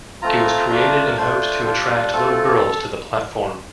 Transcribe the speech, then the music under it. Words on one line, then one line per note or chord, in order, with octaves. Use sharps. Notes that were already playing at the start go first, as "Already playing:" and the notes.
It was created in hopes to attract little girls to the platform.
A3 C4 F4 A#5
A3 D4 F4
A#4
A3 D4 F4 C5
G3 D4 F4
A3 C4 F4 A4